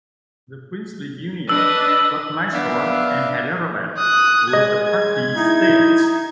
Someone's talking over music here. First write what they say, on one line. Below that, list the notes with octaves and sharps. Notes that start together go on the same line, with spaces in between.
The princely unions, plus Mysore and Hyderabad, were the Part B states.
D4 B4 D#5 E6
B3 D4 E5 F5
D#6 F#6
G#3 D#5 G#6
D#4 E4